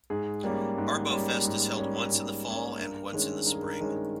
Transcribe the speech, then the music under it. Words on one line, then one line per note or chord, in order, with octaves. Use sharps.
Arbo-Fest is held once in the fall and once in the spring.
G#2 G#4
G3 A#3 C#4
G#2
G3 A#3 C#4
G#2
G3 A#3 C#4
G#2
G3 A#3 C#4
G2 A#4
D#3 G#3 C#4
G2 A#4
G#4
A#4
D#3 G#3 C#4